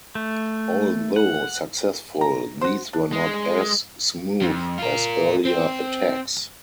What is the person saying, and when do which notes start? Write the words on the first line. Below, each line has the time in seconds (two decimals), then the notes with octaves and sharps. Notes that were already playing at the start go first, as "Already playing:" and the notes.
Although successful, these were not as smooth as earlier attacks.
0.15 A3
1.16 F#5
2.21 A#5
2.61 F#4 C5
2.93 D4
3.12 G#3
4.42 F2
4.78 F4 A#4
5.45 C4